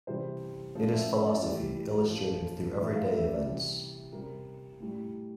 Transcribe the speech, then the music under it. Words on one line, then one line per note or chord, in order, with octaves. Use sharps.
It is philosophy, illustrated through everyday events.
C3 E3 G3 C5
A2 F3
E5
E5
D5
A2 E3 G3 D5
A#2 F3
A2 E3 G3 E5
F5
E5
D5
C3 E3 G3
C3 G3 A#4
A2 G3